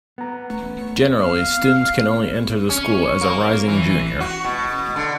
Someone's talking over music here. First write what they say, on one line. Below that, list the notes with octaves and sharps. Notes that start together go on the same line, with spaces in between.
Generally, students can only enter the school as a rising junior.
B3 A#5
F5
C#4
A#3
E3
F#4
B2
D3